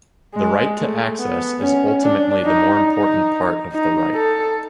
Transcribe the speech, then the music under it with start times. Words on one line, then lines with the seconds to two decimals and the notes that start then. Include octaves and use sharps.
The right to access is ultimately the more important part of the right.
0.34 G#3
0.76 A3
1.19 B3
1.60 C#4
2.02 D4
2.45 D#4
2.87 D#4
3.72 D#4
4.14 A4